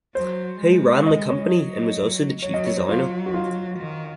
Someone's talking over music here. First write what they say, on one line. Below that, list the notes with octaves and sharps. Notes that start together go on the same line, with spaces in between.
He ran the company and was also the chief designer.
F#3 C5
G#3
D#5
C#5
F#3
F#3 C#5
D#5
C#5
C5
F#3 F4
F#4
F4
D#3